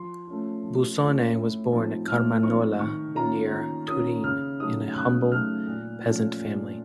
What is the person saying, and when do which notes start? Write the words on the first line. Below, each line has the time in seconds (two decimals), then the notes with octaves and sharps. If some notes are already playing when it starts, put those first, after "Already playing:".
Bussone was born at Carmagnola, near Turin, in a humble peasant family.
Already playing: F3 C6
0.27 A3 C#4 F4
0.63 F3
0.99 A3 C#4 F4
1.36 A2
1.72 F3 C4 D#4
2.08 A2 F6
2.43 F3 C4 D#4 C#6
2.79 D#3 C#6
3.15 A#3 C#4 F4 A#5
3.52 D#3
3.88 A#3 C#4 F4 D#6
4.24 C#3 F6
4.60 F#3 A3 D#4 D#6
4.96 C#3 F#6
5.32 F#3 A3 D#4 F6
5.67 A#2
6.03 F3 A3 C#4 F4
6.40 A#2